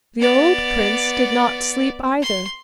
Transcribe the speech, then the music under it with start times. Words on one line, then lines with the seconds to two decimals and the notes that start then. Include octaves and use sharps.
The old prince did not sleep either.
0.20 B3 D5
2.22 C6